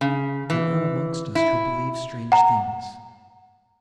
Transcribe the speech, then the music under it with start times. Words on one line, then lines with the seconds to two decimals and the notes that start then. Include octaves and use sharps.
There are amongst us, who believe strange things.
0.01 C#3
0.50 E3
1.35 E4
2.32 F#5 A#5